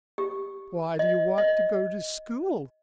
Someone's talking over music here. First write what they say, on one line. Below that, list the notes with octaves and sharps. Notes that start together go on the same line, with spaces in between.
Why do you want to go to school?
G4
D#5
D#5